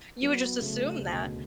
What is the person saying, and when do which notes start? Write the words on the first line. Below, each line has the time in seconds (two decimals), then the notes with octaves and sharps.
You would just assume that.
0.22 F#3 B3
0.61 C#3 A3
1.01 D2 B2